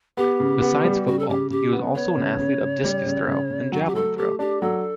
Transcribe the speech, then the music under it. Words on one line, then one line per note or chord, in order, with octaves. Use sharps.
Beside football, he was also an athlete of discus throw and javelin throw.
B3 G4
C#3
B3
G3
C#3 F#4
A4
C#3 G4
C#3 G4
B3
B3 C#5
C#3
C#3
C#3
G3
C#3
C#3
C#3
F#3 F#4
G4
A3 A4
A3 G4
D4 G4
F#3 A4